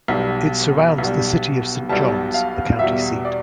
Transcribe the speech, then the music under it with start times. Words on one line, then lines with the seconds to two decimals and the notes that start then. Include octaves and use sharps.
It surrounds the city of Saint Johns, the county seat.
0.08 B1 B2 G3
0.98 B1 B2 G3
1.89 B1 B2 G3 A5
2.34 F5
2.79 E2 B2 G3 E5
3.25 D5